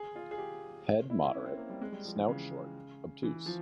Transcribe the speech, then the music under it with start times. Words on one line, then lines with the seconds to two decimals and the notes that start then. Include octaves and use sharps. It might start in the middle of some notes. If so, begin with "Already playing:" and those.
Head moderate; snout short, obtuse.
Already playing: G#4
0.16 F4
0.31 G#4
0.38 G4
1.10 E4
1.24 E4
1.34 C#4
1.46 C4
1.57 A#3
1.70 G3
1.81 G#3
1.92 G3
2.05 F3
2.16 E3
2.28 C#3
3.23 E3
3.46 F3